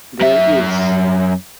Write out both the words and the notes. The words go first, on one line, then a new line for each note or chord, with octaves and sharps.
There is.
F#2 E5